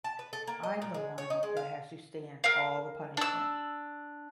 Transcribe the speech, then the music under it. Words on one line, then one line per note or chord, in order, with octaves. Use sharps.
I'm the one that has to stand all the punishment.
A5
B4
A4
A#3
D#5
A#2
G#3
C#5
D#4
G#3
F5
A#4 F5
D4 E6